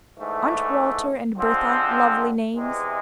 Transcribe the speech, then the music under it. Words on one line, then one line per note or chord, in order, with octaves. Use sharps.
Aren't Walter and Bertha lovely names?
G#2 E3 A3 D4
D3 F3 G#3 C4
E2 C3 E3 G#3